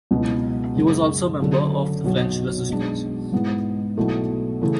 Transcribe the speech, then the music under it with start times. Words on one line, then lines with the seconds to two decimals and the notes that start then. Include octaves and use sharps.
He was also member of the French Resistance.
0.11 C#2 B2 F#3 B3 E4
0.75 F#2 C#3 G#3
1.39 F#1 F#2 D3
2.04 B1 B2 F#3
2.69 B1 B2 G#3 D4
3.32 G#2 G#3 B3 E4
3.97 B1 B2 A3 E4
4.61 C#3 E3 A3